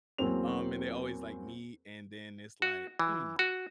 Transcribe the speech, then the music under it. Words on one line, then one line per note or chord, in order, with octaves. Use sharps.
um, and they always, like, meet, and then it's like, "Mm,
E2 F#3 A#3 C4 F7
F#4
E3
F#4